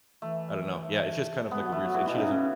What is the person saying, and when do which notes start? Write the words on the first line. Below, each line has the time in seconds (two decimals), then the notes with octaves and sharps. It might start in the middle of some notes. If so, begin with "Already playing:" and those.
I don't know, yeah, it's just kind of like a weird s and she doesn't
0.22 E3 A3
1.51 G#3 B3
1.61 F#3
1.72 E3 A3
1.81 F#3
1.94 E3
2.06 B2 E4
2.15 C#3 D#4
2.31 C#4